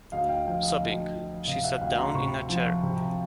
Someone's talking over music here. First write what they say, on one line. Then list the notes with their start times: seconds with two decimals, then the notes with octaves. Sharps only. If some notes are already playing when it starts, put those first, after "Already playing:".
Sobbing, she sat down in a chair.
0.12 D2 D#5 F5
0.29 F5 G5
0.46 F3 F5 G5
0.63 D#5 F5
0.80 D2
1.14 F3
1.47 C3 D#5 F5
1.64 E5 F#5
1.81 D2 F5 G5
1.98 A#5 C6
2.15 C3 B5 C#6
2.49 F3
2.83 C3